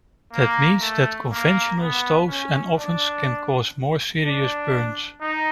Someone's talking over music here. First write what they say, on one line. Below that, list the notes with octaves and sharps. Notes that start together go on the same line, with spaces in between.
That means that conventional stoves and ovens can cause more serious burns.
A#3
A3
A#3
B3
C#4
D4
D4
D#4